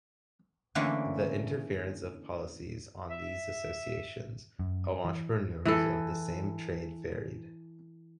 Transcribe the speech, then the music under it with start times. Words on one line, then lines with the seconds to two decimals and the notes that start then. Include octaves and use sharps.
The interference of policies on these associations of entrepreneurs of the same trade varied.
0.75 D3 E3 A3 A#3 C4 C#4
3.09 E5
4.59 F#2
5.05 E3
5.65 E3 E4 A4